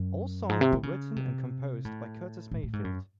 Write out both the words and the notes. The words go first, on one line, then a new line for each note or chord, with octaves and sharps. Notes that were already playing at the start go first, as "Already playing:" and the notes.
All songs were written and composed by Curtis Mayfield.
Already playing: F#2
G#2
C3
D#3
C#3
C3
A2
A2
A2
G#2
F#2